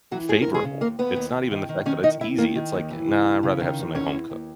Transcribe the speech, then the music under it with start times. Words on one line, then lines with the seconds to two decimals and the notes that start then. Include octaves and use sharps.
favorable. It's not even the fact that it's easy. It's like, "Nah, I'd rather have something home cooked."
0.11 E3 F#3 F#4
0.29 E2 G#4
0.42 E2 A#4
0.54 G#3 G#4
0.64 C#3
0.81 D#2 A#3 A#4
0.99 D#2 B3 B4
1.16 D#2
1.34 D#2
1.51 D#3
1.69 D#3
1.85 D#3 C#4 C#5
2.03 D#3 D#4 D#5
2.21 D#2 E4 E5
2.38 D#3 A#3 A#4
2.55 D#3
2.73 D#2
2.90 E3
3.08 C#3
3.25 D#2
3.43 C#3
3.60 D#3
3.78 E2
3.95 E2 C#4 C#5
4.13 E2
4.30 D#2